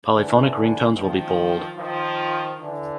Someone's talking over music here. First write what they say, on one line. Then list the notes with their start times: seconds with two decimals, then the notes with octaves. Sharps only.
Polyphonic ringtones will be Bold.
0.10 D3 E3
0.93 D#3 F3
1.77 D#3 F3
2.60 D3 E3